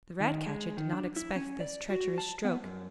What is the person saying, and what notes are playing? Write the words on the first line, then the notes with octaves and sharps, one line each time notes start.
The ratcatcher did not expect this treacherous stroke.
D#3
G#3
D#3
D4
E4
C#4
D5
F#4
A5
B3
F#2